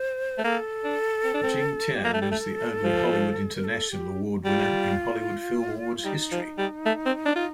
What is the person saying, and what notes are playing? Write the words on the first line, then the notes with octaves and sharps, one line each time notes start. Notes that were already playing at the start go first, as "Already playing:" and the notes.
Jing Tian is the only Hollywood International Award winner in Hollywood Film Awards history.
Already playing: C5
A3
A#3 A4
D4
C4
D4
C4
G4
A#3 A4
A3
G3
A3
F3
A#4
A4
G4
G3 F4 G4
G3 D#4
F3
G3
A3
C4
D4
F4